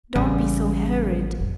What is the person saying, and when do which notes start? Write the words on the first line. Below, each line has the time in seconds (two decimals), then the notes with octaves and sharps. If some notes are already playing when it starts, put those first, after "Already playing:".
Don't be so hurried!
0.15 A1 C#3 G3
1.39 F1